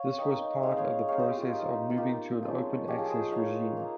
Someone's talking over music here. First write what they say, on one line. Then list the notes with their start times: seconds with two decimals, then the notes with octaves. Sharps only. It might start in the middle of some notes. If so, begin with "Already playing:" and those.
This was part of the process of moving to an open access regime.
Already playing: A#4 C#5 F5
0.18 A#3 D#4 D#5 G5
0.63 G#3 C4 D#4 F5
0.71 D#5
0.78 C#5 F5
1.08 G#3 C4 D#4 C#5 F5
1.19 C5 D#5
1.30 G4
1.37 F4
1.42 G4
1.53 A#3 D#4 F4
1.90 F4
1.98 A#3 D#4 G4
2.43 F3 G#3 C#4 F4
2.87 F3 G#3 C#4 G4
2.99 F4 G#4
3.10 G#4 C5
3.32 A#3 D#4 C#5 F5
3.77 A#3 D#4